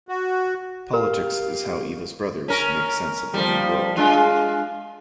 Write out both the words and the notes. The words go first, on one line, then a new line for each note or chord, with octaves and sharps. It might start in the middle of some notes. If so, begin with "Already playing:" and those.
Politics is how Eva's brothers make sense of their new world.
F#4
G4 A#4 F5
C#4 A#4
F3 G3
G#3 D4 F4